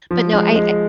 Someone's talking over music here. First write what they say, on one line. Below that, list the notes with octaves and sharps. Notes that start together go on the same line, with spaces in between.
But no, I I
F3
G#3
G#3